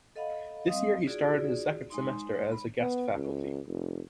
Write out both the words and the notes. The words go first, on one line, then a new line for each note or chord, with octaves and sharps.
This year, he started his second semester as a guest faculty.
A4 D#5 F5 F#5 B5
G3 C4 D#5 F5 D#6
D#4 F4 F#4 G#4 D5
G#3 D#4 C6
B5
B3
C#2
F1